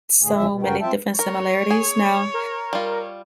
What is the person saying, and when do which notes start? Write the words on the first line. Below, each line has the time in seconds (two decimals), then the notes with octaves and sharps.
so many different similarities now.
0.22 A2 D3 A3 G#4
0.35 E2 C#3 F3 F#3 E5
0.50 B2
0.62 F#2 C#3 F#4 A#4 B4 G5
0.81 C4 F4 E5 G5 A5
1.19 A#4 C#5
1.71 G#4
2.34 A#4
2.73 G3 F4